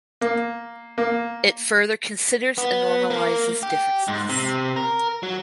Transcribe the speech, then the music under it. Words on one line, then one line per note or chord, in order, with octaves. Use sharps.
It further considers and normalizes differences.
A#3
A#3
B3
A#3
G4
G#2
C3
A#4
F#3